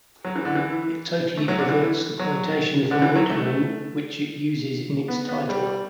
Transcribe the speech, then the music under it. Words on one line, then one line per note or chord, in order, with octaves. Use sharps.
It totally perverts the quotation from Whitman which it uses in its title.
F#3
E3
D3
E3
A3
F#3
D3
E3
F#3
D3
E3
F#3
A3
B3
B3
G3